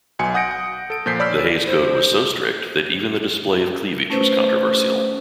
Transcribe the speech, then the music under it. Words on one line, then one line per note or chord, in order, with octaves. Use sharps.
The Hays Code was so strict that even the display of cleavage was controversial.
B1 B2 G#5 C6 C#7
F#5 D#6 G6 A#6 C#7 D7
F#5
A4 D7
A#2 F3 G6 B6 C7
C#5 D5 B5 E6 F6 B6
C5
A3 C#4 B4 C5